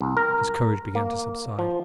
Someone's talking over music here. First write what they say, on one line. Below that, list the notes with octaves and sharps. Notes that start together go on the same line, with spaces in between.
His courage began to subside.
C2
A#4
A#3
F3